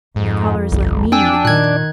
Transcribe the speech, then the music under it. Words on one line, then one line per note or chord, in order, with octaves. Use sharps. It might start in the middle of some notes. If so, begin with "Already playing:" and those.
My caller has left me needing it.
F2 G#2
G1 C2
C4 D4 G5 G#5 E6
A#2 D#3 F#6 G#6